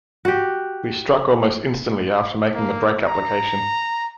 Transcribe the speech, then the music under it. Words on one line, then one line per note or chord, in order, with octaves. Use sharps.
We struck almost instantly after making the brake application.
F#4 G4
A#3
A#5